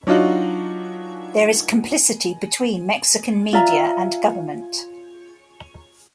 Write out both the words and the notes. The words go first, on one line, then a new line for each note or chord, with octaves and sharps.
There is complicity between Mexican media and government.
F#3 D4 D#4 F4 F#4
F4 D5 E5 A#5